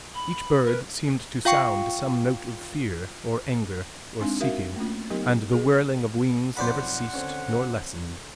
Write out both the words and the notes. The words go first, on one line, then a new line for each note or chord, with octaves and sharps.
Each bird seemed to sound some note of fear or anger or seeking, and the whirring of wings never ceased nor lessened.
B5
A#4 B4
F4 F5 G5 C#6 C#7
G#3 C4 D4 D#4
F#4 A#4 E5 F5
A3 A#3 C#4 F4
F#3 B3 D#4 G4 A#4
G#4
B1 F2 C5 D5 F#5 B5
D3 C4 C#4